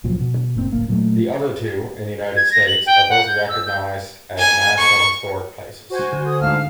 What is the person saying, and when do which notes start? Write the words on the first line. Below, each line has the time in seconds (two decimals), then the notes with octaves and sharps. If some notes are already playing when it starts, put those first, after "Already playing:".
The other two, in the United States, are both recognized as national historic places.
0.04 C#2 A#2 F3 F#3
0.20 B2
0.55 F#1 A#2 D#3 C4
0.72 D1 F#2 A#3
0.88 A#2 F#3 G3 A3
2.36 G#6
2.52 A#6
2.67 F#7
2.86 G5
3.09 F#5
3.27 G6
3.49 E6
3.66 G6
4.39 G#5
4.79 C#6
5.90 F#4 C5 G#5
6.12 D3
6.26 A4 D#6
6.40 D2 G#2 F5 A5 F6